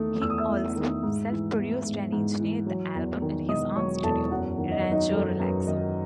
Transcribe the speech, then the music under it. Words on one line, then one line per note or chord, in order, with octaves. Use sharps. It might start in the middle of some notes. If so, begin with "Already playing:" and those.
He also self produced and engineered the album at his own studio, "Rancho Relaxo".
Already playing: E2 D#3 A3 D#6
E2 E6
D#6
E5 E6
E2
D#3
G#2
E3
B3
G#2
G#2
E3
F#3
E2
D#3
E1 D#5 D#6
F#3 C#5 C#6
E2 A4 A5
F#2 F#4 F#5
D#3
D#5
F#3 C#5
D#4 D#5
F#2 A4
F#2 B4
D#3 D#4 D#5